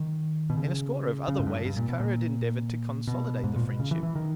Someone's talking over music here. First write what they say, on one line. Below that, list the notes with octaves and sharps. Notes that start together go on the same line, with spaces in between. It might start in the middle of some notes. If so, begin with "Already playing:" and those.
In a score of other ways Kara had endeavoured to consolidate the friendship.
Already playing: D#3
B2
C#3
C#3
G#2
G2
G2
A#2
B2
A#2
B2
G#2
A#2
B2
C#3
E3
E3
D#3